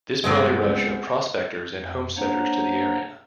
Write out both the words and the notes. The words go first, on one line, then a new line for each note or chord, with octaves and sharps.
This brought a rush of prospectors and homesteaders to the area.
G2 C3 G#3 B3 C4
C#2
F2
A#3 D4 C5 C#5 F#5 A#5